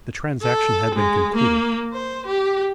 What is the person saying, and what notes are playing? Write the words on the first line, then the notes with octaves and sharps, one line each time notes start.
The transaction had been concluded.
A4
G#3
A#3
C5
G4